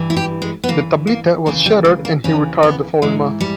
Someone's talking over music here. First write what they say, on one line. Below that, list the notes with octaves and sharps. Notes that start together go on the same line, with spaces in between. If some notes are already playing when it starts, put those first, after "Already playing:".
The "Tablita" was shattered and he retired the following month.
Already playing: G2 E3
E4
G4
G#3
B3
G2 E3 A#3
A#3
D#2 C#3 E3 A#3
G3
G#3
A#3
D#2 C#3 E3 C#4
B3
G#2 E3 G#3
G3